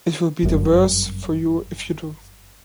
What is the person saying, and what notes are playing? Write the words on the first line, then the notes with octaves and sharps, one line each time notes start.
It will be the worse for you if you do.
G1 F#2